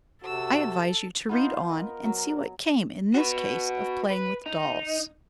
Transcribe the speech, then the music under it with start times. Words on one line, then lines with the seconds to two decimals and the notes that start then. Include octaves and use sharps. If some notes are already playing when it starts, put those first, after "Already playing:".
I advise you to read on, and see what came in this case of playing with dolls.
0.23 C3 F#4 A4 E6 E7
1.29 B3 D#4 F4 C5
1.69 A#4 D#5
2.05 F#3
3.14 F#4 B4
4.10 B4
4.46 D#4